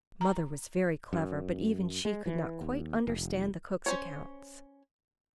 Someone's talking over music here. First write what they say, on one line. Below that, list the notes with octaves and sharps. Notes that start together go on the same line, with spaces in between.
Mother was very clever, but even she could not quite understand the cook's accounts.
A#5
F#2
G#3
E3
D#2
F1
C#4 C5 C#5